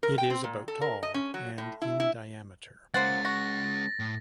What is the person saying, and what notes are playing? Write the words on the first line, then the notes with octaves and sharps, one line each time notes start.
It is about tall and in diameter.
A#4
G5
C4
A#2
A4
A#4
D#5
C#4
F#3
A2
E4
E4
G#3 A#3 C#4 C5 F#5 A6
F#4 A#6
A2